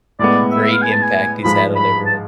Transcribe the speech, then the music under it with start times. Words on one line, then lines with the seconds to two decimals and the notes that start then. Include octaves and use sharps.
great impact he's had on everyone.
0.19 A2 G#3 B3 D5
0.51 E5
0.62 E5
0.72 F5
0.82 G#5
0.92 A5
1.02 G#5
1.44 G#2 F3 G#3 B5
1.54 B5
1.76 B5
2.06 A5